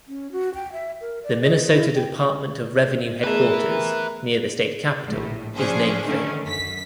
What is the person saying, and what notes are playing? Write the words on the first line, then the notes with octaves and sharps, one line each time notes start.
The Minnesota Department of Revenue headquarters near the State Capitol is named for him.
C#4
F#4
G5
E5
A#4
D5
D#5
E4
G5
A3 B3 G#4 A#4 B4 E5
A#1 A2
F3 F#3 C#4 D4 G#4 C5
D3 D#3 A3 C#4
F#2 B6